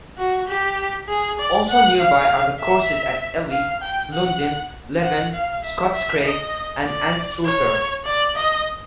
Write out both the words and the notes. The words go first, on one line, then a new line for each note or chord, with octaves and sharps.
Also nearby are the courses at Elie, Lundin, Leven, Scotscraig and Anstruther.
F#4
G4
G#4
D5
F#5
F5
E5
F5
G5
F#5
F#5
F5
E5
E5
D#5
D5
C#5
D5
D#5